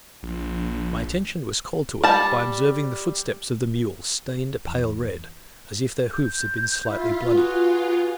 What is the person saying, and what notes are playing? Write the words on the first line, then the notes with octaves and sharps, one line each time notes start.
My attention was called to it, by observing the footsteps of the mules stained a pale red, as if their hoofs had been slightly bloody.
A#1
G3 A5
E2
G6
E4 F4
F#4 G#4 B4